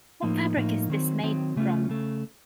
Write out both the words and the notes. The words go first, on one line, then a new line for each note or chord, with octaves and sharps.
What fabric is this made from?
A2 F3 A#3 D#4
A2 F3 A#3 D#4
D#3 F#3 C4
D#3 F#3 C4
C#3 A3 C#4 F4
C#3 A3